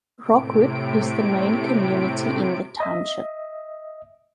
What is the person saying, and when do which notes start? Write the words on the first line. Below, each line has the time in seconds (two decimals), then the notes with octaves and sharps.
Rockwood is the main community in the township.
0.22 A2 C3 D7
2.80 D#5 E5